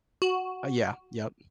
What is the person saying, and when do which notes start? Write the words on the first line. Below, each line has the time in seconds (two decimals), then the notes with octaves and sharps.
Uh, yeah. Yep.
0.22 F#4